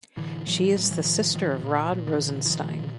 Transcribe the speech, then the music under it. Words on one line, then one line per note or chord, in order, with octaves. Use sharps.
She is the sister of Rod Rosenstein.
A2 D3 E3
A2 E3 F#3
A2 F#3
G3
E3 F#3
A2 D#3 F3
A2 D#3 F3
A#2
A#2
D3 E3
A#2
E3
A#2 D#3 F3
A#2